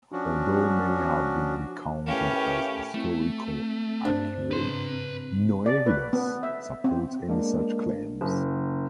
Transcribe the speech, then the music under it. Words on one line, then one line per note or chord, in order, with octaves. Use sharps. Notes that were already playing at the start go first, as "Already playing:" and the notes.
Although many have been recounted as historical accurate, no evidence supports any such claims.
F3 C#4 D4 F#4
A2 C#4 G4 A#4 B4 F5
A3 C4 E4
G2 D4 C5
G#2 C#3 B4 C6
D5
B4
B3
E5
C4
G#3 A#3 D4
F#1